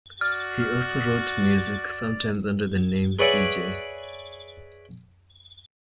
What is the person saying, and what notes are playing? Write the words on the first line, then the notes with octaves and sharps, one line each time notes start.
He also wrote music, sometimes under the name C. J.
F#4 D5 F6
G#4 B4 C#5 D5 E5 F#5